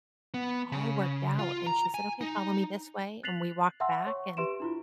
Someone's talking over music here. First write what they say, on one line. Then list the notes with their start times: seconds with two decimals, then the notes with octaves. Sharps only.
all worked out, and she said, "Okay, follow me this way," and we walked back, and
0.34 B3
0.72 C#3
1.39 F4
1.67 A#5
1.94 G#5
2.21 D#4
3.23 F#6 A6 B6 C7 F7 F#7
3.80 E5 F#5 G5 A5 C6 E6
4.06 C#5 C#6
4.37 G4 B4 E5 C6 D7 E7
4.60 D4 E4 F4